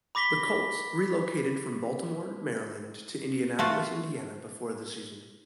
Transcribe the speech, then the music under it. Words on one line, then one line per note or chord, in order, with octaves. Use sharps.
The Colts relocated from Baltimore, Maryland to Indianapolis, Indiana before the season.
B5 D6 A#6 B6 G7
A3 F4 F#4